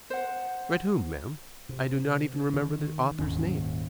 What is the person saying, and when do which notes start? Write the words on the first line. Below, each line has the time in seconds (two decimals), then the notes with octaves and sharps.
"Read whom, ma'am?--I do not even remember the author's name."
0.10 C5 F#5
1.69 C3
2.53 D#3
3.19 D#1 D#2 G#2 C#4